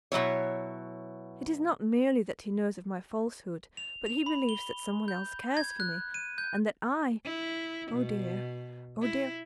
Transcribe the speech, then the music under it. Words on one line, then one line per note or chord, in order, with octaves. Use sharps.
It is not merely that he knows of my falsehood, but he believes that some one else cares for me; and that I---- Oh dear!--oh dear!
B2 F#3 E4 C#5
F7
F7
B5
G7
G6
G#6
F#6
D#7
G6
E4
B2
E4